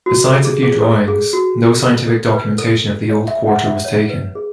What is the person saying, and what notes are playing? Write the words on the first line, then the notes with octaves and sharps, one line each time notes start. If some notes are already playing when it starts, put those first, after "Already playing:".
Besides a few drawings, no scientific documentation of the old quarter was taken.
F#4
A4
G#4
G#4
A4
G#4
F#4
A4
A4
B4
A4
C#5
E5
F#5
E5
C#5
B4
G#4